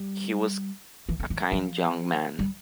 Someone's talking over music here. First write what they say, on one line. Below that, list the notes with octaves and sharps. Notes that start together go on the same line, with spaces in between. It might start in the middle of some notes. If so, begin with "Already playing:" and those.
He was a kind young man.
Already playing: G3
E3
D3
E3
F3
G3